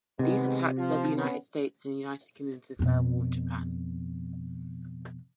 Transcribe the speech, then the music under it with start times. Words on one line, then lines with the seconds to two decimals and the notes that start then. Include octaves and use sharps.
These attacks led the United States and United Kingdom to declare war on Japan.
0.19 C3 D#3 G#3 B3
0.78 F3 F4
1.17 B3 C#4
2.79 F2 B2